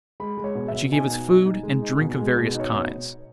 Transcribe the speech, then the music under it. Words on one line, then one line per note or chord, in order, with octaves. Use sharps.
And she gave us food and drink of various kinds.
G#3 B5
G#3
C#5
B2
E5
B2
D#4 G#5
B2
D#4
D#4
G#3
D#4
B2
G#3
B2
D#4
C#5
B2 C#5